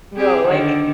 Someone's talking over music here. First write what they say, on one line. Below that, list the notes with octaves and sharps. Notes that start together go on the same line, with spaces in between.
No, like
C4 G4 G#4
D3 D#3 D4